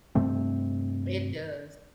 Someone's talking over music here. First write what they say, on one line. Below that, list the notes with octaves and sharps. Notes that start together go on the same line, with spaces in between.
It does.
G2 C3 A3 C4